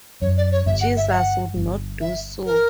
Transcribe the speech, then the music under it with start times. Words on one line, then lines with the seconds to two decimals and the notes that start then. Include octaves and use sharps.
Jesus would not do so.
0.21 F#2 C#5
0.37 D5
0.52 C#5
0.66 G1 G2 E5
0.81 F#5
0.97 E5
1.07 E5
1.11 F#5
1.56 G1 G2
2.01 E5
2.46 A#4